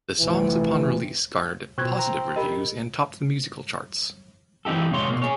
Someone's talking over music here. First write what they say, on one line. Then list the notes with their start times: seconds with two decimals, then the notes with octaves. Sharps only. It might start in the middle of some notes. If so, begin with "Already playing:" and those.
The songs upon release garnered positive reviews and topped the musical charts.
0.20 F1 C3 E3
1.78 B2 C4 F4 C#6 F#6 G#6
1.99 A#5
2.36 G4 A#4 D#5 B5
4.65 E3 C4 D#4 G4 A4
4.91 F2 C3 G#3 C#5 C6
5.09 B2 A#3
5.22 G#4 C#5